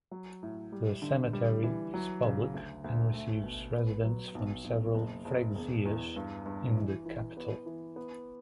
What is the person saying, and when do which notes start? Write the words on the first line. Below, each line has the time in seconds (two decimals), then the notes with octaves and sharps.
The cemetery is public and receives residents from several "freguesias" in the capital.
0.11 F#3
0.43 A2
0.72 G3
1.02 D3
1.33 G3
1.63 E3
1.94 F#3
2.23 C#3
2.54 D2
2.84 D2
3.14 A3
3.44 B2
3.75 B3
4.04 F#3
4.35 B1
4.64 B1
4.95 F#1
5.25 F#1
5.55 E1
5.85 E2
6.16 G2
6.46 G2
6.77 E3
7.06 E3
7.37 B3
7.66 E3
7.96 B3